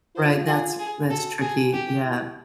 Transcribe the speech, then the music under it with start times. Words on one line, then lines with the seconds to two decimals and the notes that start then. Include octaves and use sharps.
Right, that's that's tricky. Yeah.
0.16 F4 C5
0.47 G#4
0.79 G#4
1.10 F#4 A4
1.41 F#4 G#4
1.73 G4
2.04 E4